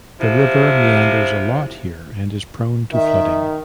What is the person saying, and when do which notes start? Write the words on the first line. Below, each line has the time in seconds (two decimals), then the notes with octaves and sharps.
The river meanders a lot here and is prone to flooding.
0.19 C3 F3 E4
2.92 D#3 E5